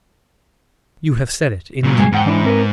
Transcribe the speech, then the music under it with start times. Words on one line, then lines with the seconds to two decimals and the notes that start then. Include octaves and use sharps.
You have said it, indeed.
1.84 A#2 F#3
1.98 G2 G#3 G#4
2.12 E2 G#2 F#5 G5
2.25 E3 D4 E4
2.45 C4 A#4 B4